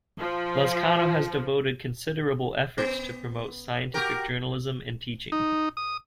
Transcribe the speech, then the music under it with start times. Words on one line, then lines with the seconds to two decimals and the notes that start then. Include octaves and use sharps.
Lazcano has devoted considerable efforts to promote scientific journalism and teaching.
0.19 F3
2.78 B3
3.94 F#4 G4 A#4
5.32 D#4
5.77 D#6